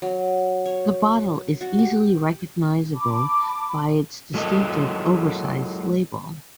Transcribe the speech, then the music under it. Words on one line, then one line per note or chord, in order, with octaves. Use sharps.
The bottle is easily recognisable by its distinctive oversized label.
F#3
C#5
F#4
G4
A5 B5 D6
F#3 G#3 E4 A4 A#4 D#5